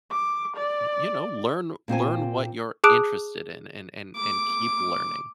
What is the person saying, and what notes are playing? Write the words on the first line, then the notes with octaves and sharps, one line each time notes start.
m you know, learn learn what you're interested in and and and keep learning.
D6
D5
A#2 C4 F4 G#5
G#4 A5 D6 D#6 F#6 D7
D6